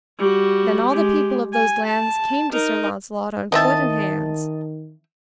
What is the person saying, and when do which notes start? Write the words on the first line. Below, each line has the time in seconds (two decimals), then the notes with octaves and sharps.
Then all the people of those lands came to Sir Launcelot on foot and hands.
0.18 G3 F#4
0.88 G#3 G4
1.53 G#5
1.86 A5
2.52 D#4 A#4
3.52 D#3 E3 C4 D#5 E5 A5